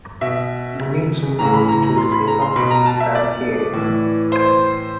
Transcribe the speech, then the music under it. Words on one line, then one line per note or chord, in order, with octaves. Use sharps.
We need to move to a safer place than here.
B2 E5
A2 E3 A#5
B5
A#5
A#5
C6
B5
A#5
C6
B2 B5
A#5
A5
E5
D5
A2 E3
C5